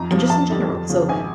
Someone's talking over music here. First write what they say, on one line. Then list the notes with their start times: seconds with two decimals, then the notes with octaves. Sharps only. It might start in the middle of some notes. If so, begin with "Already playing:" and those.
and just in general, so
Already playing: F2 A#5
0.11 C3 F3
0.30 F2 A5
0.50 D3 G3
0.69 F2
0.89 C#3 F3
1.09 G#1 G#5